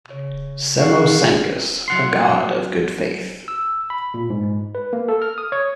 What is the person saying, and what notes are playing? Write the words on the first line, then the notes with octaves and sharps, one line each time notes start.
Semo Sancus, a god of good faith.
C#3 C#5
C#4 G#4 F5 F#5 C#6
F#3 F#5 C6
E6
B5
A#2
G#2
B4
A#3
A4
F6
D#6
C#5